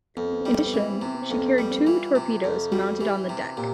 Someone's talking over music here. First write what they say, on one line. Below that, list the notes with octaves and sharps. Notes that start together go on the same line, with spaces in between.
In addition, she carried two torpedoes, mounted on the deck.
F2 B3
C4
B3
C4
G3 B3
C4
B3
E3 C4
B3
C4
B3
C3 C4
B3
C4
F2 B3
C4
B3
C4
G3 B3
C4
B3
E3 F4
C3
F2
G3 F#4
E3 G4
C3
A#2 G4